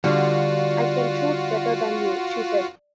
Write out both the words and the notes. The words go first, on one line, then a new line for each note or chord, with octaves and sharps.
"I can shoot better than you," she said.
D3 G3 F4 F#4